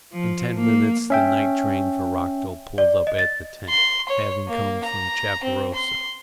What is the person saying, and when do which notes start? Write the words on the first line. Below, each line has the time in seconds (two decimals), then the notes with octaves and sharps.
In ten minutes the night train for Rockdell pulled up at the tank, having come from Chaparosa.
0.13 F3
0.55 A#3
1.10 C#4 E5 G5
2.78 D5
3.07 D#5
3.19 A6
3.69 C6
4.09 C#5
4.48 A#3
4.84 A#5
5.44 C4
5.74 C6